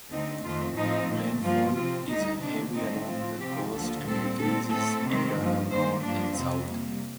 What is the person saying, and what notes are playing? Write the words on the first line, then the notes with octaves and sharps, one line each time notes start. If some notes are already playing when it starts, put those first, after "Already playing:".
Rainfall is heavy along the coast and decreases in the north and south.
D2 D3 A3 C4 D#4
F2 D#3 A3 C4 F4
A2 F3 A3 C4 D#4
A#2 A3 C4
G2 F3 A#3 F4
C3 F3 C4 F4
D2 D3 G3 D#4
C3 D#3 A#3 D4
G2 D3 A3 C4 D#4
A2 F3 C4 F4
C3 F3 C4 G4
D2 D3 F3 A#3 A4
A#2 G3 C4 A4
A#2 G3 C4 A4
A2 A3 C4 A4
C3 D#3 A3 C4
G2 F3 A#3
G2 D#3 A#3 C5
G2 F3 A#3 D4
F2 C3 G3 C4
C3 G3 A#3